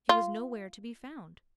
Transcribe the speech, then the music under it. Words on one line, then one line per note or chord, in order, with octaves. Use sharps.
She was nowhere to be found.
F4